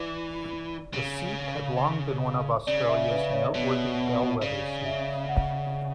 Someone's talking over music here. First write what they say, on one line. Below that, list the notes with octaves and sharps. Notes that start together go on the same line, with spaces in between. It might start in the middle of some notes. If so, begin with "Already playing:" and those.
The seat had long been one of Australia's noteworthy bellwether seats.
Already playing: E3 D5
C#3
C#3 D5
E5
B4
C#5
B2
C#3 D5
E5
F#5